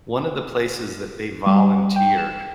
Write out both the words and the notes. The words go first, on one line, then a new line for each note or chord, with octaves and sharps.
one of the places that they volunteered
G3
G5
E7